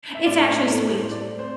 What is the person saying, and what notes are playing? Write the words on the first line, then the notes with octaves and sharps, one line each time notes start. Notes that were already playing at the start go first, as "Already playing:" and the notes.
It's actually sweet.
E5
A2 D5
C5
A2
A4
A2
C5
A3 D5
C4 C5